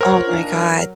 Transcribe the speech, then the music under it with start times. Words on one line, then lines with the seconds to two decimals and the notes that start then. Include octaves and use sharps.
Oh my god.
0.01 A#4 C5 C#5 F#5
0.27 A#2 D#3 D4
0.52 F#3